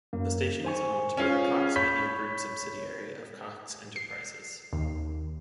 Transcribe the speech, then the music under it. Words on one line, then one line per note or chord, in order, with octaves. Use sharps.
The station is owned by the Cox Media Group subsidiary of Cox Enterprises.
F#2 A#3
C5 G#5 C#6
C#4 F4 G#4
C#5 B5 G6 B6
C7
D#2